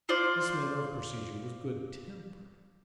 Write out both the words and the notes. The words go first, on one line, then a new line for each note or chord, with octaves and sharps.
This manner of procedure was good-tempered.
F4 C5 D5